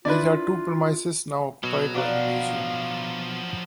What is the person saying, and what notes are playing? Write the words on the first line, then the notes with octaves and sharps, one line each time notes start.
These are the premises now occupied by the museum.
D4 E4 F4 B4 D5 E5
B2 F#3
F3 F#3 D4 D5 F5 F#5